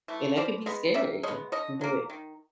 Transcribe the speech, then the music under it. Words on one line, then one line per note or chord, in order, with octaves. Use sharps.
and that could be scary, but,
E3 A3
B2 C5 D5
G#3 B3
D#3 D5 E5
G#3 B3 C#5 D#5
D3 C#5 D#5
F#3 A#3
D#3